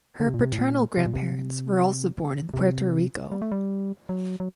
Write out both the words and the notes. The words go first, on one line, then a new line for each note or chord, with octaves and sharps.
Her paternal grandparents were also born in Puerto Rico.
D3
C3
A#2
C3
A2
A#2
C3
A#2
C3
C3
G3
A3
G3
F#3
F#3